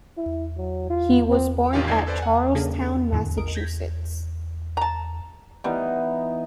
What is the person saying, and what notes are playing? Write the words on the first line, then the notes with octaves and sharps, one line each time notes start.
He was born at Charlestown, Massachusetts.
E4
F#3
F4
C4
A1 D#3 F4 G4 F5
G1 D#4 E4 D5 G#6 C7
A4 B4 C5 D5
F#5 G#5
C#3 A#3 C#4 D4 G#4 A4
D#2 G#2 D3 E3
A#1 A#4 D#5 D7
G6 G#6 A#6 B6
A5 A#5
E3 G3 B3 D#4